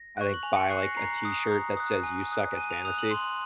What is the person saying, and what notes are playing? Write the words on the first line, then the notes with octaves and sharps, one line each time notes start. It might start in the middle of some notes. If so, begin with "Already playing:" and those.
I think buy, like, a T-shirt that says, "You suck at fantasy"
Already playing: A#6
C#6 F#6
F#7
G#5 F7
C#7
C#6 F#6 C7
A#6
A#5 C7
D#6 F#6
A#5
D#6 F#6
G#5
D#6 F#6
G#5 D#7
F7
D#6 F#6 F7
F#7
C6
F#7